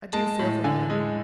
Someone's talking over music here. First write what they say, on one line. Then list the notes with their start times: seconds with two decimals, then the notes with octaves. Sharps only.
I do feel for him.
0.13 G#3 A5
0.39 A2
0.64 D3 G#5
0.90 G#3